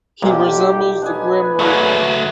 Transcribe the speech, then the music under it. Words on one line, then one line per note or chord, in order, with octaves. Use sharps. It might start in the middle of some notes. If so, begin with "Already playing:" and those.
He resembles the Grim Reaper.
B1 A#2 G4
D4 D#4 B4 G#5
D3 F#3 A3 A#3 G#4 C#5 F#5